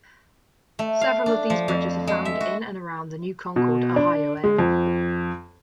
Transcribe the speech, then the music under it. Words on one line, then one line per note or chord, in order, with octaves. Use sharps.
Several of these bridges are found in and around the New Concord, Ohio area.
A3
F5
D4
F3
F2
G#3
E5
F#4
B2
D4
G#3
F2